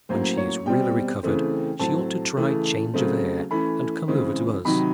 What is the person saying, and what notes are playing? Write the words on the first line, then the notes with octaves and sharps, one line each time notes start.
When she is really recovered, she ought to try change of air, and come over to us.
A2 F#3 A#3 C#4 C5
C#5
B2 G3 C4 G5
C#3 E3 A3 C4
A2 F#3 A3 C4 A5
C#3 E3 A3
C#3 F#3 A3 C4
E3 A3 C#4 B5
C#3 E3 G#3 C4
C3 D#3 F#3 B5